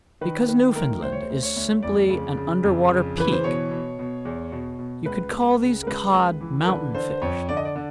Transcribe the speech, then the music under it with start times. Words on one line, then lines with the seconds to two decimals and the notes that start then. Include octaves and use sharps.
Because Newfoundland is simply an underwater peak, you could call these cod mountain fish.
0.21 D#3 B4
0.48 D#3 B4
0.76 D2 A#4
1.02 D2 C5
1.12 C#5
1.22 C5
1.29 D2
1.43 C#5
1.56 D2
1.83 F2 D5
2.10 C#3
2.37 C#3
2.63 F2
2.91 C#3
3.18 E3 B4
3.32 C5
3.44 B2 C#5
3.71 B2
3.99 B2
4.25 E2
4.52 B2
4.79 B2
5.06 C#2 B4
5.32 C#2
5.61 C#3
5.83 A#4
5.87 C#2 B4
6.14 C#2
6.41 E3
6.63 A#4
6.68 D3 B4
6.95 D3 C5
7.10 C5
7.22 F2 C#5
7.49 D3 D5
7.57 D#5
7.65 D5
7.76 D3